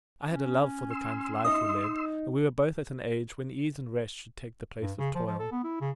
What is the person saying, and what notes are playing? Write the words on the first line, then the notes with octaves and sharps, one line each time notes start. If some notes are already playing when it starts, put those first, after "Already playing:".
I had a love for the kind of life we led, and we were both at an age when ease and rest should take the place of toil.
C#4
C6 E6
D#4 D#5 E5 D#6
G2
C#3
F3
F3
A4
B3
E4
C#3